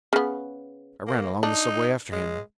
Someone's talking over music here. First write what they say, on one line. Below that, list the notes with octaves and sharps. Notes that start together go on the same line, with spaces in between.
I ran along the subway after him.
C#3 B3
A#3
D4 D#4
G#3